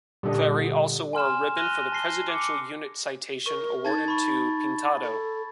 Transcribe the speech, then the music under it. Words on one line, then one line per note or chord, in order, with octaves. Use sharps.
Clarey also wore a ribbon for the Presidential Unit Citation awarded to "Pintado".
A#2 D3 G3 D4 D#5
G#5 C6 F6 E7
F6 F#6 A#6 D#7 F7 G7
A5 A#6 C7 G7
D6 C#7
A#4 C#6
D#4 A5 G#6 A6
B5 C#6
A4